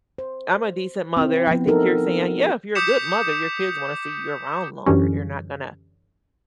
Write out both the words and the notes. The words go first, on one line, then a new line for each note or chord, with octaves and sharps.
I'm a decent mother. I think you're saying, "Yeah, if you're a good mother, your kids wanna see you around longer," they're not gonna
C5
C4 E4
F3 B3
D#4 A4 A#4
D6 D#6 G6 B6 C#7 E7
F#2 D3 E3 G3 C#4